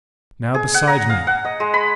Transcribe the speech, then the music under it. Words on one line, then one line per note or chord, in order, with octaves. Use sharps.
Now beside me!
G#4
F#5
A#5
F5
F#5
D#5
G#3
B5